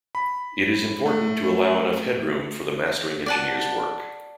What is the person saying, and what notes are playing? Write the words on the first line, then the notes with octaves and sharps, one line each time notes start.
It is important to allow enough headroom for the mastering engineer's work.
B5
A3
D5 F#5 A5